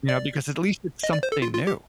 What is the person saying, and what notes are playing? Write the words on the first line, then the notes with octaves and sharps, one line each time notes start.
you know, because at least it's something new.
D5
D#5
D5
C5
A4
F4
F4
G4